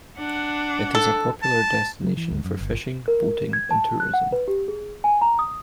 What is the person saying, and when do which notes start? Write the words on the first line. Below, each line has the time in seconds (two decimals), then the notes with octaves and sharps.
It is a popular destination for fishing, boating, and tourism.
0.18 D4 F#5
0.95 A4
1.42 A5
2.04 F#3
2.17 E3
2.32 D2
2.45 F#2
2.61 G1
3.08 A#4
3.53 G#6
3.71 A5
4.00 F#6
4.14 F#5
4.32 B4
4.48 G4
4.68 G#4
5.04 G#5
5.21 A#5
5.39 D#6